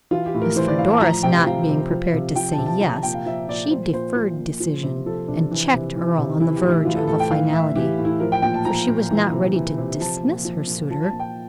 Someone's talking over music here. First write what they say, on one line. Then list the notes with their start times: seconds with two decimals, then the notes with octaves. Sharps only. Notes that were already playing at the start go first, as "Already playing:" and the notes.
As for Doris not being prepared to say "yes," she deferred decision, and checked Earle on the verge of a finality, for she was not ready to dismiss her suitor.
0.11 E3 F4
0.26 G4
0.34 A2
0.42 A#4
0.56 E3 C5
0.68 D5
0.78 A2 F5
0.91 A5
1.01 F3 A#5
1.23 C3 G5
1.46 F3 F5
1.69 C3
1.91 F3
2.14 C3
2.36 F3 G5
2.52 A5
2.58 C3
2.66 A5
2.81 F3 A#5
2.92 A5
3.03 A#2 G5
3.14 F5
3.26 F3 E5
3.48 A#2 D5
3.71 F3 C5
3.93 A#2 C5
4.16 F3
4.39 A#2
4.60 F3
4.83 C3
5.06 F3 A4
5.28 C3 D4
5.51 E3
5.73 C3
5.96 E3
6.18 C3
6.40 E3 E4
6.56 G4
6.64 A2
6.70 E4
6.85 E3 F4
6.96 A4
7.07 A2 A4
7.20 G5
7.31 E3 F5
7.53 A2 E5
7.76 E3 G4
7.98 A2
8.05 E4
8.20 F3 A#4
8.32 G5
8.42 A#2 G5
8.54 A5
8.65 F3 A#5
8.88 A#2
9.11 E3
9.32 C3
9.55 E3
9.78 C3
10.00 F3 A5
10.23 A#2
10.45 F3
10.67 A#2
10.90 F3 A5
11.05 A5
11.13 A#2
11.20 G5